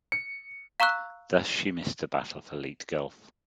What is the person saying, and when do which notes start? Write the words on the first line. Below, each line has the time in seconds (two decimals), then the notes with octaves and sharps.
Thus, she missed the Battle for Leyte Gulf.
0.12 C#7
0.80 F5 A#5 C#6 E6 F#6